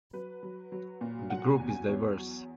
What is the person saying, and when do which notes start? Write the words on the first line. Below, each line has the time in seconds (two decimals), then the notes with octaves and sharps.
The group is diverse.
0.13 F#3 B4
0.43 F#3
0.72 F#3
1.01 A#2
1.30 F#3 F#5
1.50 G#5
1.59 E2
1.69 G#5
1.88 E2 C#5
2.18 F#3